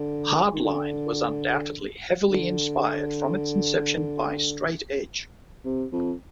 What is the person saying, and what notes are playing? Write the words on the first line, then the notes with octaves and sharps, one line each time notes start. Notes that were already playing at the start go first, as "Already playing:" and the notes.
Hardline was undoubtedly heavily inspired from its inception by straight edge.
Already playing: D3
D#3
D3
D3
C3
F2